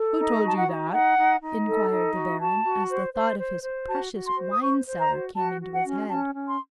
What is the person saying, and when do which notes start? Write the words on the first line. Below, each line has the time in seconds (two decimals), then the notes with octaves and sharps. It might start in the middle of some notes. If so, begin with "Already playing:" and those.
"Who told you that?" inquired the Baron, as the thought of his precious wine-cellar came into his head.
Already playing: A4
0.18 D#4
0.43 F#4
0.48 A5
0.55 F#5
0.68 D#4
0.92 D#4 F#5
1.17 D#4
1.41 D#4
1.66 A4
1.91 D#4
2.15 F#4
2.40 F#4 A5
2.65 F#4
2.90 C5
3.14 C5
3.39 C5
3.63 C5
3.88 F#4 A5
4.13 F#4
4.25 C6
4.37 C5
4.51 D#6
4.62 C5 C#6
4.87 C5
4.99 A#5
5.11 F#4
5.36 F#4 A5
5.61 F#4
5.73 F#5
5.85 C#4
6.10 C#4 A5
6.34 C#4
6.47 C6